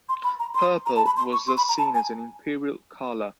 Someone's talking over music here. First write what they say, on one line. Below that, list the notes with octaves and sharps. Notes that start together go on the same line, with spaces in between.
Purple was thus seen as an imperial colour.
C6
B5
A#5
C6
A#5
A5
B5
C6
C#6
C6
B5
A#5
A5
G#5